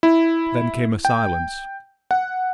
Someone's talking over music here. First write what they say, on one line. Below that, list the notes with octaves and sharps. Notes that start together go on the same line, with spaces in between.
Then came a silence.
E4
G5
F#5